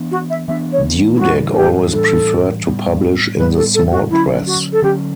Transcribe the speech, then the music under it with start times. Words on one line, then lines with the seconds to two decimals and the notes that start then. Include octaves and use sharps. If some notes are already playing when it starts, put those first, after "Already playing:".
Dudek always preferred to publish in the small press.
Already playing: E3 B3 D4
0.11 F#4
0.30 E5
0.48 E3 B3 D4 E5
0.72 C#5
1.16 E4
1.20 A2 E3 G3 D4 F#4
1.52 F#4
1.56 G4
1.92 A2 E3 G3 D4 A4
2.65 A2 G3 B3
3.37 A2 G3 B3 B4
3.57 A4
3.75 A4
3.92 F#4
4.10 D3 F#3 C#4 E4
4.46 F#4
4.72 A4
4.82 D3 F#3 C#4 G4